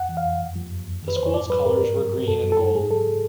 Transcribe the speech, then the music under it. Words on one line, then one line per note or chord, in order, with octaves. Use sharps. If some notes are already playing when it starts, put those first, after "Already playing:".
The school's colours were green and gold.
Already playing: F2 F#5
E3
F5
F2
F#2
F3
F#2
F2
D#3
B4
F2 C5
C#5
G#2 D5
F#3 B4
G#2 A#4
G2
F#3
G2
F#2 A4
F#3
A4
F#2
G#2 G#4
F#3 A4